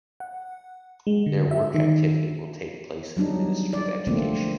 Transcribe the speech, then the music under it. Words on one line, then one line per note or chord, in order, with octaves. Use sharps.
Their work activity will take place in the Ministry of Education.
F#5
G#3
D3
E5
D#3
F#3 G3 D4 D#4
D5
D3 F3 A3 A#3 C4